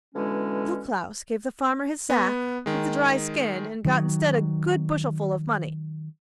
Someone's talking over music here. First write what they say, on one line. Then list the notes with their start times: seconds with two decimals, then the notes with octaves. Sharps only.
Little Klaus gave the farmer his sack with the dry skin, and got instead a good bushelful of money.
0.15 B2 D3 E3 G#3 C#4
2.10 B3
2.66 D#3 G#3
3.85 D#3 F#3